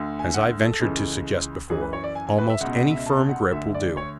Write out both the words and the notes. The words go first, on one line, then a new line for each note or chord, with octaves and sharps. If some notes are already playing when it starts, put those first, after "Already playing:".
As I ventured to suggest before, almost any firm grip will do.
Already playing: D2 D3
G#5
F#5
A4
C#2 C#3 E3
F#2 E3 G#4
B4
C#5
D5
G#5
G#5
B4
E5
C#2 B2 F#5
F#5
E5
A5
F#5
D2 D3 E5
D5
C#5